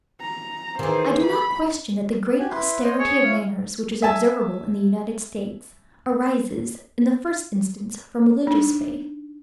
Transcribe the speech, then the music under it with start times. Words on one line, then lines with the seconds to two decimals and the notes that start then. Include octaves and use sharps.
I do not question that the great austerity of manners which is observable in the United States, arises, in the first instance, from religious faith.
0.21 A#5
0.79 D#3 E3 G#4 C5
1.24 B5
2.39 F#4 G4 G#5
2.50 E4 B4 C6
2.84 C5 C#5 D#5
2.99 C#4 G#4 C#5
3.24 E4 F5
4.02 E5 G#5 A5
8.47 D4 D#4